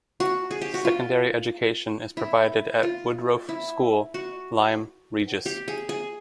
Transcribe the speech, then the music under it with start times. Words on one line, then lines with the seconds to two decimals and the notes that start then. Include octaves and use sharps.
Secondary education is provided at Woodroffe School, Lyme Regis.
0.20 F#4
0.51 G#4
0.61 G4
0.74 F#4
0.85 F4
2.17 E4
2.83 F4
3.49 E4
4.14 F#4
5.46 G4
5.68 G#4
5.89 G#4